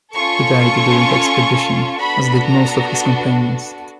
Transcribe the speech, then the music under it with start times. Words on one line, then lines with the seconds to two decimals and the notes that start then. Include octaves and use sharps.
He died during the expedition, as did most of his companions.
0.13 C#4 F4 A4 C#6
1.99 B3 D4 F#4 A4 B5
2.45 A#5